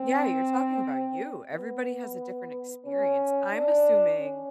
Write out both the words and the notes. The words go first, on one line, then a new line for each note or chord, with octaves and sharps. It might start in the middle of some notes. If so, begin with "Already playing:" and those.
Yeah. You're talking about you. Everybody has a different experience. I'm assuming
Already playing: C4
B3
C#4
D4
C#4